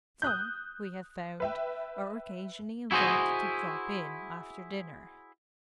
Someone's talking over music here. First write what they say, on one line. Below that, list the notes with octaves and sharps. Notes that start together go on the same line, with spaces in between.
Some, we have found, are occasionally invited to drop in after dinner.
D#6 F#6 G6
B4 E5 G5
E4 F#4 G#4 C5 D#5